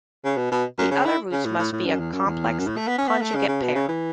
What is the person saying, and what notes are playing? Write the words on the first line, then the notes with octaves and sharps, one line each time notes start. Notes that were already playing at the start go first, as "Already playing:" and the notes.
The other roots must be a complex conjugate pair.
C#3
B2
B2
F#2
C#3
E4
C#3
A2
A2
A2
F#2
E2
F#2
E2
F#2
A2
A3
B3
C#4
B3
A3
C#3
C#3
B2
C#3
E3